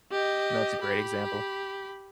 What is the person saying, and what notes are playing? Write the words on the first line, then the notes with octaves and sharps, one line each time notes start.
That's a great example.
G4 D#5
G4 B5